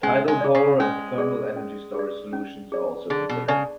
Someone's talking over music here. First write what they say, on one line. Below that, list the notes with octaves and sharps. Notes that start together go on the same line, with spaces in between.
Tidal power and Thermal energy storage solutions are also considered.
G#3 C#4
G#3
G#4 D5
C#3
G#3 C#4
G#4 D5
C#4
G#4 D5
C#4
G#4 D5
D3 G#4
B2
C#3 D5 A5